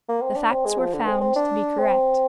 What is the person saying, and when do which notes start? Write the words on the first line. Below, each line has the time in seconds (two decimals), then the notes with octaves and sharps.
The facts were found to be correct.
0.08 A#3
0.22 C4
0.36 D4
0.51 C4
0.65 G#3
0.79 F3
0.93 D3
1.07 C4
1.21 C4
1.36 D4
1.79 C4